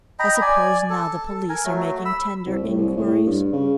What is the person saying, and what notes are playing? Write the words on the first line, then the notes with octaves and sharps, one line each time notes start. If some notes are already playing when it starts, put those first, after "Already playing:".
"I suppose now the police are making tender inquiries?"
D#5 G5 A#5 B5
D5 G#5
A4
A#4 G#5
F#3 A3
B5 E6
C2
A2
C2
A2
G2
C#3